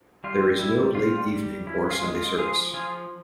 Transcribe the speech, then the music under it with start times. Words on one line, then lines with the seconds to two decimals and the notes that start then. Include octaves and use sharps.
There is no late evening or Sunday service.
0.24 G3 F4
0.59 G3 E4
0.95 G3 F4
1.31 G3
1.67 C#4 E4
1.91 F4
2.02 G#3
2.15 F4
2.38 F3 F4 G#4
2.73 F3 F4 G#4